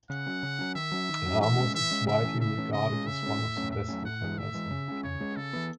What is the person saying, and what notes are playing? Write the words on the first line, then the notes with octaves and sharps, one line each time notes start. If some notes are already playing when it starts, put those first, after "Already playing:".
Ramos is widely regarded as one of the best defenders on the planet.
C#3 F#5
F#3 C#4
C#3
F#3 C#4
D#3 E5
F#3 C#4
D#3
F#3 C#4
E3 E5
G#3 C#4
E3 E5
G#3 C#4
C#3 E5
E3 A3 C#4
C#3 E5
E3 A3 C#4
C#3 D#5
G#3 C#4
C#3 E5
G#3 C#4
A2
F#3 A3 C#4
A2 E5
F#3 A3 C#4
A2 F#5
E3 G#3
A2 E5
E3 G#3
C#3
G#3 C#4
C#3 C#5
G#3 C#4
C#3 A4
E3 B3